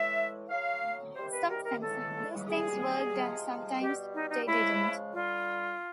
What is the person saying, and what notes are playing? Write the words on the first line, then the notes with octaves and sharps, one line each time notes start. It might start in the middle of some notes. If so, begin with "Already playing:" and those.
Sometimes those things worked and sometimes they didn't.
Already playing: A2 E3 G#3 E5
A2 F#3 F5
C3 D#3 G3 C5
B4
A#4
A#4
C#3 E3 G#3 A4
B2 G3 G#4
C3 F3 G#3
B2 G3 G4
D#4
D#4
C#3 F3 G#3 E4
D3 G3 F4